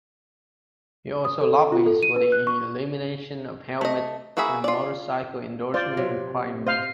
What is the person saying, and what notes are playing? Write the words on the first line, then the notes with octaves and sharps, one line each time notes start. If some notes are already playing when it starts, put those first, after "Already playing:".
He also lobbies for the elimination of helmet and motorcycle endorsement requirements.
D#6
A4
F4
A4
D#7
B4
F#6
C#6
A3 D#5
A#3 F#4 G#4 E5 B5
F4 D5
F4 C5 D5
C3 F#3
C5 D#5 F5